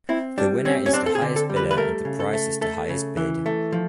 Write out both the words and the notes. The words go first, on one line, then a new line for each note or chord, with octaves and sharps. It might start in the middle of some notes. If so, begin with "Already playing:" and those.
The winner is the highest bidder and the price is the highest bid.
C4 E4
G3 D4
C4 C#4
C#4
C4 D4
A4
G#4
D3
A4
G3
B4
B4
A3 A#4
C#3
A4
A3
A3 A4
C#3
E3
A3
F3